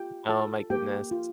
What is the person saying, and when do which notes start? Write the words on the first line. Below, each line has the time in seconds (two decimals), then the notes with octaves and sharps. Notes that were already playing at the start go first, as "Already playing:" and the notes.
Oh my goodness.
Already playing: F4 G4 G5
0.29 F4 A4 A5
0.70 A#3 G4 G5
1.11 F4